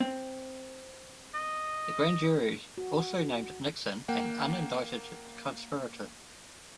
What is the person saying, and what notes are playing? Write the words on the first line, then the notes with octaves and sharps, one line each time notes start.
The grand jury also named Nixon an unindicted conspirator.
C4
D#5
F#4
A#3 F#5 G5